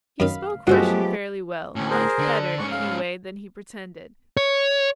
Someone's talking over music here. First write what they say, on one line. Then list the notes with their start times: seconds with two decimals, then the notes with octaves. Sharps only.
He spoke Russian fairly well, much better, anyway, than he pretended.
0.20 F#2 D#3 C#4 F5 B5
0.67 G2 F3 F#3 G#3 A3 B3 F#4 G4
1.76 D2 A2 C#4
1.90 G#4 A#4 C5
2.19 D3 D4
2.59 G#2 C#4 C#6
2.72 F5
4.37 C#5